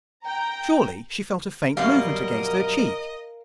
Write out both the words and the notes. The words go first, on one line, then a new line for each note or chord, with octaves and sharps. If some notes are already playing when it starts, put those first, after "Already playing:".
Surely she felt a faint movement against her cheek?
G5 A#5
F#2 B2 G3 A#4 D#5 F5